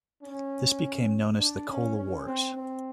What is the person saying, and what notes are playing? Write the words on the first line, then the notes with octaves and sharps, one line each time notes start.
This became known as the "Cola Wars".
C#4
D4
C#4
C#4
C4
C4